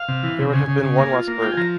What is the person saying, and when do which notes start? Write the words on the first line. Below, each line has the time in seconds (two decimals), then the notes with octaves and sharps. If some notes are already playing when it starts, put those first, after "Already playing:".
There would have been one less burden.
Already playing: F5
0.08 C3
0.23 E3
0.39 C3
0.53 C#3 G#5
0.68 C#3
0.83 C#3
0.98 A#3
1.13 F4
1.28 A#3
1.42 F4 G5
1.52 G#5
1.57 F3 A#5